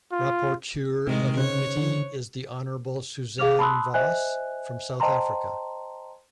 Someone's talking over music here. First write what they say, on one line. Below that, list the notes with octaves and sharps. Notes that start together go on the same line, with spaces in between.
Rapporteur of the Committee is the Honorable Suzanne Vos from South Africa.
F4
A2 C3 D#3 G#3
C#3 C5 C#5 F#6
D3
G#4 F5 D6 F6 F7
A5 B5 C6 D#6 E6 F#6
C5 D#5 E5 G#5 F#6
C5 D#5 G5 A5 A#5 C6